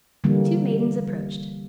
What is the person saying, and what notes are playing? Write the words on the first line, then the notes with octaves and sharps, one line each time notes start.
Two maidens approached.
D3 E3 G3 A#3